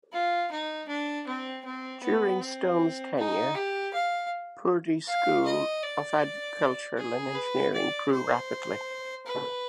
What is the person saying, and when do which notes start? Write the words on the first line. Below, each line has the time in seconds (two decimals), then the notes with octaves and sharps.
During Stone's tenure, Purdue's schools of agriculture and engineering grew rapidly.
0.12 F4
0.51 D#4
0.88 D4
1.27 C4
1.65 C4
2.03 B3
2.41 C4
3.18 D#4
3.55 G4
3.94 F5
5.07 F5
5.46 D#5
5.83 D5
6.98 G#4
7.35 B4
7.74 D5
8.12 C5
9.26 B4